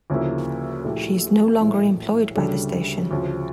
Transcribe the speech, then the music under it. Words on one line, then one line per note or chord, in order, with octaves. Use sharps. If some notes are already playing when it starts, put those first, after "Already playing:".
She is no longer employed by the station.
D2 C#3 F3 A#3 E4
A#1 A#2 A3 E4 G4
A#1 A2 E3 A3 E4
D2 C#3 G3 D4 A4
D2 C#3 F3